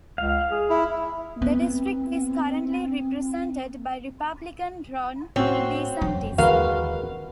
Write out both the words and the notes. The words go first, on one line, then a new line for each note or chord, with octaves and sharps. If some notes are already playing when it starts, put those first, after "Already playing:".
The district is currently represented by Republican Ron DeSantis.
C#2 F5
G#4
E4
B3 C4
A2 C4 C#4 F#4
E1 F#2
D#2 D3 E3 G#3 F#4 A#4 B4 F5